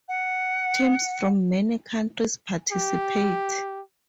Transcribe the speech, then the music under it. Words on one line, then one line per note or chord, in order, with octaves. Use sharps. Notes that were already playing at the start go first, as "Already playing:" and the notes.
Teams from many countries participate.
F#5
G4